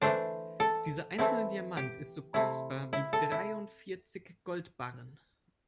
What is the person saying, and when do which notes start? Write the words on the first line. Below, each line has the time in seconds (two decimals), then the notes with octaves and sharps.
Dieser einzelne Diamant ist so kostbar wie dreiundvierzig Goldbarren.
0.01 E3 A3 D4 C5
0.60 A4
1.18 E3 A3 C4 E4
1.77 G4
2.34 C3 A3 E4
2.93 E4
3.13 A4
3.32 E4